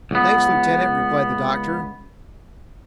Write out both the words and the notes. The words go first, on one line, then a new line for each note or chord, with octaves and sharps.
"Thanks, Lieutenant," replied the Doctor.
C#2 B3